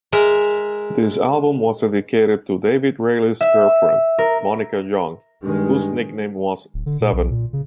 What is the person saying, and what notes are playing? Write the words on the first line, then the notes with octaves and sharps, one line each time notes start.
This album was dedicated to David Reilly's girlfriend, Monica Young, whose nickname was Seven.
G#3 A#4 E5
E5
A#4
G2 D#3 G#3
D1
D3
A#2
B1
A#2
C#3